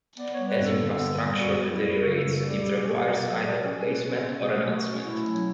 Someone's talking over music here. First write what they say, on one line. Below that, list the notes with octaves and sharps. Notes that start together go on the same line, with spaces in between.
As infrastructure deteriorates, it requires either replacement or enhancement.
B3 D5
C#5
G3
B4
G2
A4
D3
B3
G3
F#2 F#4
G3
E4
F#2
C#3 F#4
A4
F#2
A4
G3
G4
B2 G4
C#4
B2
F#3 A4
D5
B2
D5
C#4 D5
B2 B4
C#4
A4
B2
F#4
A3 G4
B2
F#4
C#4
A3 E4
F#3